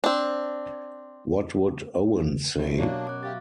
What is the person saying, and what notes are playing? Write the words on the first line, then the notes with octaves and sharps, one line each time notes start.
What would Owen say?
C4 D4
F#1 G4 E5
B2 F#3 A#3 D4 C#5
F#2 D6 F#6
G4 E5 F5 A6